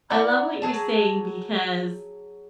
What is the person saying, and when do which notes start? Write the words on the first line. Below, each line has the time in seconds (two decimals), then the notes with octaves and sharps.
I love what you're saying because,
0.10 E4 D5 F#5 A#5
0.62 F#3 G#4 A5